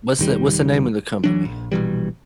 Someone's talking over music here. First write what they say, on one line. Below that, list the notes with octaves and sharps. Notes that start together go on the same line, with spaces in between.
What's the what's the name of the company?
E1 D#3 G3
E3 F#3 D4
A#1
A#1 B2 E3 G3